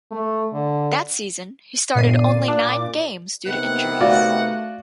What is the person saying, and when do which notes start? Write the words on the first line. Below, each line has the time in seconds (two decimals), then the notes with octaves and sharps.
That season, he started only nine games due to injuries.
0.11 A3
0.53 D3
1.95 G1 A#2 C7 D#7
2.15 D5
2.48 D4
2.63 D6
3.47 C3 D#3 B3 F#5
4.00 A3 F4 F#4 D5